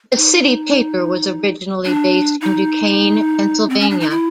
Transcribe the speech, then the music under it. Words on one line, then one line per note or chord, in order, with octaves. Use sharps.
The "City Paper" was originally based in Duquesne, Pennsylvania.
D#4
D4
D#4
C4
C#4
D4
D#4
E4